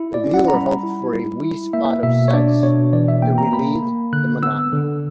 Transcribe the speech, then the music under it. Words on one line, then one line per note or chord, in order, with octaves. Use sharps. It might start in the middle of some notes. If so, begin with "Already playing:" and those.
This viewer hoped for a wee spot of sex to relieve the monotony.
Already playing: E4
D5
C#4
F#5
A#5
G3 B5
E4
G3
E4
A#3 E5
B2 E5
C#5
D4 D5
B2 C#5
E3 D5
E5
A#3 G5
A#5
A#3 B5
A#3
D3 F#6
B3 E6
D3